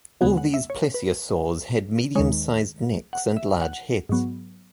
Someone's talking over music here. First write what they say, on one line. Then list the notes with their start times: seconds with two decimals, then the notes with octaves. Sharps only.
All these plesiosaurs had medium-sized necks and large heads.
0.21 D#2 C#3 G#3 B3 G#5
0.37 F#5
0.54 E5
0.70 C#5
0.94 B4
2.15 D#2 D#3 G#3 C#5
3.13 F#5
3.37 E5
3.62 F#5
4.09 G#2 F#3 B3